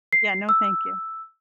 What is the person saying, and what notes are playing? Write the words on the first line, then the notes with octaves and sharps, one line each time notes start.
Yeah, no, thank you.
C7
E6